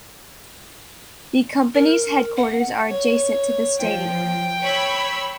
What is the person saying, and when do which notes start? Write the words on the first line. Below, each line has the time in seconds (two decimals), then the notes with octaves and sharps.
The company's headquarters are adjacent to the stadium.
1.75 A#4
2.37 F#5
2.87 C#5
3.79 F3 G5
4.62 C#5 B5 E6